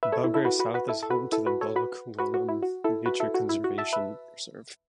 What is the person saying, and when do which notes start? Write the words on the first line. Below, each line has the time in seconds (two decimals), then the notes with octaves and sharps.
Belgrave South is home to the Baluk Willam Nature Conservation Reserve.
0.03 B4 E5
0.12 A4 C#5
0.24 E4
0.34 E4 A4
0.45 F#4 B4
0.60 F#4 B4
0.74 F#4 B4
0.89 E4 A4
1.03 A4
1.10 F#4 B4
1.32 E4 A4
1.46 F#4 B4
1.61 A4 C#5
1.76 F#4 B4
2.19 F#4 B4
2.34 F#4
2.48 E4
2.63 F#4
2.84 E4 A4
3.06 F#4 B4
3.20 E4 A4
3.34 F#4
3.49 E4
3.64 F#4
3.78 E5 A5
3.93 B4 E5